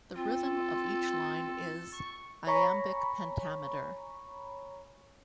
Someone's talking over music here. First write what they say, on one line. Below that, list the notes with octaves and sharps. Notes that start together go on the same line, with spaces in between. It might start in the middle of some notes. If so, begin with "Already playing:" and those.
The rhythm of each line is iambic pentameter.
C4 F4 A4
C#6
C#5 G#5 A#5 B5 C#6